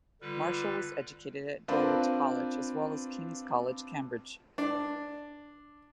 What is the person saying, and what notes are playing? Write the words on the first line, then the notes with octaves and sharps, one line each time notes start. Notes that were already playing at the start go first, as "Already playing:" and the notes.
Marshall was educated at Dulwich College as well as King's College, Cambridge.
D3 G3 F4 B4
C4 D4 F4 A#4 B4
D4